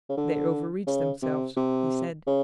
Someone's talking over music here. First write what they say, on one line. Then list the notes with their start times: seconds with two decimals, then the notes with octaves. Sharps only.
"They overreached themselves," he said.
0.10 C#3
0.18 D3
0.87 C#3
1.22 C3
1.57 C3
2.27 C#3